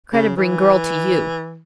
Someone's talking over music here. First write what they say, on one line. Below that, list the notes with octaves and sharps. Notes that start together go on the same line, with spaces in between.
Kreta bring girl to you.
C#3
E3